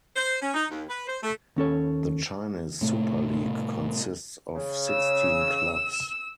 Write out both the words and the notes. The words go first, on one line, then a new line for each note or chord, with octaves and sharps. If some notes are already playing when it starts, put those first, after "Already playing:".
The Chinese Super League consists of sixteen clubs.
C5
C#4
D#4
D#2
B4
C5
A3
D#2 C#4 A4 C#5
A2 C3 A3
C#3
E6